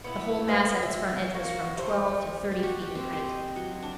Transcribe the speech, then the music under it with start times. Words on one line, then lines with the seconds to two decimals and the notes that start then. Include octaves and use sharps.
The whole mass at its front edge was from twelve to thirty feet in height.
0.04 B3 E4
0.48 B4 C5 F5 G#5
0.83 E5
1.34 A#3 F#4
1.76 G3 A3 A#4 C5
2.51 G4
2.63 F#4
2.82 G4
2.95 C4
3.13 C5
3.31 D#5
3.56 F#3
3.82 D4